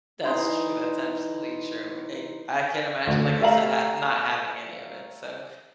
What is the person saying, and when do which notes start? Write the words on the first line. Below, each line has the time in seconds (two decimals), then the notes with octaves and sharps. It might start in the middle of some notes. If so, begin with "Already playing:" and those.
That's true, that's absolutely true. Ay I can't imagine, like I said, ha not having any of it, so
0.25 E3 D#4 C6
3.07 D2
3.41 A3 G4 E5 F5 A#5 F#7